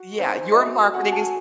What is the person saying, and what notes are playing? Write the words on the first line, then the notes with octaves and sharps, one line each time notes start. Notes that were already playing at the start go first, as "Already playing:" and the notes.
Yeah, your marketing is,
Already playing: F#4
C4 D#4 G#4 C5
D#5
A3 C4 F#4 E5
A3 C4 F#4 F#5
G#5
A5
G#5